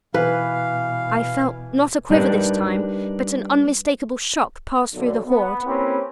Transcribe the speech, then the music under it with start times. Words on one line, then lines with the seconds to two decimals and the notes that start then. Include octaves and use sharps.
I felt, not a quiver this time, but an unmistakable shock pass through the Horde.
0.14 B2 E3 B4 F5
2.10 G3 D4 D#4 G4 A#4 B4
4.93 B1 D3
5.26 B3
5.66 A#3 C4 C#4 E4 G4 B4